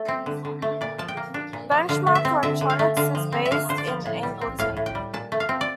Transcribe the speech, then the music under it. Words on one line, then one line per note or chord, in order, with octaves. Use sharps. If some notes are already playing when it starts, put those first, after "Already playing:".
Benchmark Electronics is based in Angleton.
Already playing: A3
C4
D3
D3
A3
A#2 D5
F3 A5
G5
A#3
D4
A#2
F3
D3 F5
A3
E5
C4
D3 E5
D3
F5
A3
D3 F5
F3
C4
E5
D3 F5
D3 C5
D5
F3
A2
G3
C4
A2 F5
A2
G5
G3
A#2 A5
A3
F5
C4
D5